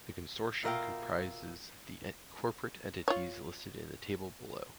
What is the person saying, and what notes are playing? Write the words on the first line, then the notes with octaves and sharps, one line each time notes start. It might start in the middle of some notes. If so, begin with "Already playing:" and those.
The consortium comprises the corporate entities listed in the table below.
B2 F4 A#4 E5 F5 G5
F4 C#5